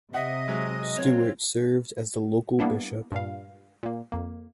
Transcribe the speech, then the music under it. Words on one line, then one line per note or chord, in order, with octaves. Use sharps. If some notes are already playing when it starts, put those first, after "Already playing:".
Stewart served as the local bishop.
C3 D#5 E5 F#5
F#3 G#3
C4 F4 C#5
G3 A#3 B3 D4 E4
G2 A#2 G3 F5
A#2 A#3
F2 A#3